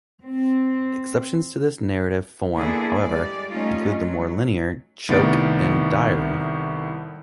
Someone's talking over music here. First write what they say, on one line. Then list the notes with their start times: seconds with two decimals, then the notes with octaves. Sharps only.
Exceptions to this narrative form, however, include the more linear "Choke" and "Diary".
0.22 C4
2.55 D3 A#3 B3 D4 E4 G#4
3.01 G3 G#3 D5
3.49 G3 A3 C#4 D#4 F4
3.96 F#3
5.09 C2 A2 D#3 B3 A6 D7